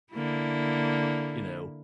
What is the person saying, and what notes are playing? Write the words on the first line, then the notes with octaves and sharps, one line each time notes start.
you know,
D3 A#3 E4